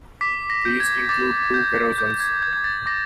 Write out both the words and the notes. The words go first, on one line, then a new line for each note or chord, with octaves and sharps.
These include two carousels.
D6 B6
A#6
G6
G#6
D6 A6
G6
D6 G6
G#6
G6 G#6
G#6
A6
D6 A#6